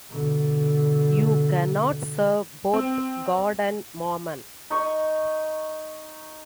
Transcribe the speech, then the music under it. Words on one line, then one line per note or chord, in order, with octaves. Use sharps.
You cannot serve both God and mammon.
B2 D3
C4
D#4 C#6